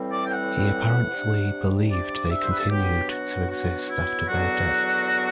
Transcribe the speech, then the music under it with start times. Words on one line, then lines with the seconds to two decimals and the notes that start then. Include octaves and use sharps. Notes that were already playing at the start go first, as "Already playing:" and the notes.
He apparently believed they continued to exist after their deaths.
Already playing: A2 E3 G3 C4
0.11 D5
0.25 G5
0.32 F#5
1.11 C3 G3 D4
1.90 D5
2.30 E5
2.40 C5
2.50 B4
2.59 A4
2.69 B2 F#3 B3 D4 G4
3.09 F#4
3.48 F#4
3.89 E4
4.27 E2 D3 F#3 B3 D4 F#4